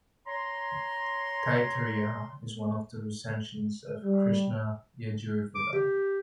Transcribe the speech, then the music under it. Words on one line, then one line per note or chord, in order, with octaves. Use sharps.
Taittiriya is one of the recensions of Krishna Yajurveda.
C#5 A#5 C6
G3
D6
G4